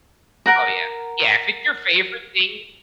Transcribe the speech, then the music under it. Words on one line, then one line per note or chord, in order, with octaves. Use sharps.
Oh, yeah. Yeah. If it's your favorite thing
A#4 F#5 A#5